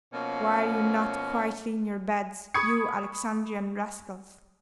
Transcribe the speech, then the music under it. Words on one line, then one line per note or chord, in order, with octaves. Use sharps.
Why are you not quietly in your beds, you Alexandrian rascals?'
B2 F3 A#3 C#4
B5 C#6 D#6 G#6 C#7